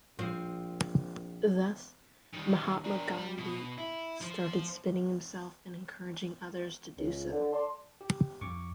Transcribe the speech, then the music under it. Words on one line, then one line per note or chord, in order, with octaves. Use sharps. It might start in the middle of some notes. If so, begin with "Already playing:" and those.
Thus Mahatma Gandhi started spinning himself and encouraging others to do so.
A#1 F3 C4
D#3 G3
D4 A#4
G3
B2
E4
F3 C5
C#2
D3
D5 A5 C6
G4
F2 C#6 D6